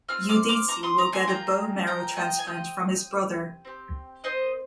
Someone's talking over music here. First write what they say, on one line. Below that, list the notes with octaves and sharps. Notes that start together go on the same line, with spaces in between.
Udeze will get a bone marrow transplant from his brother.
C4 F4 F6
D6 F6
D6 F6
A#5 D6
C6 D#6
A#5 D6
G#5 C6
A#3 F4 G#4 G5 A#5
G5 A#5
D#5 G5
G#5
C4 G4 D#5 G5
C4 G4
C5 D#5